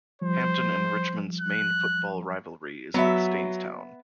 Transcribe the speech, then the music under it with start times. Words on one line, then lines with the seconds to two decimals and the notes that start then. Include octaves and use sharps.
Hampton and Richmond's main football rivalry is with Staines Town.
0.21 F3 G3 C5
1.41 F#6
2.94 F#3 B3 E5